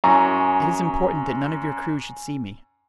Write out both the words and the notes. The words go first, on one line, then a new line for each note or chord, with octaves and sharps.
"It is important that none of your crew should see me."
F#2 G#5 A#5 C#6